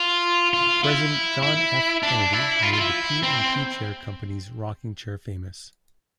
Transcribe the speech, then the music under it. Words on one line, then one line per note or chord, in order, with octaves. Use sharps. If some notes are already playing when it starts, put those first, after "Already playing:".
President John F. Kennedy made the P and P Chair Company's rocking chair famous.
Already playing: F4
F4
E4
E4
D4
E4
F4
F4
E4
C4